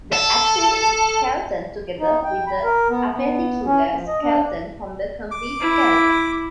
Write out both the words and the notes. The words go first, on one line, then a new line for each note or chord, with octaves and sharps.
The axial skeleton together with the appendicular skeleton form the complete skeleton.
A4
D#4
G5
B5
A#4
B3
B3
C#4
F3
D#5
D4
D6
E4